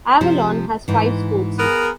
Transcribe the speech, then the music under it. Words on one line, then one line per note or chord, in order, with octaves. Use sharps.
Avalon has five schools.
C3 F3
G#2 E3
B3 G#4 A#4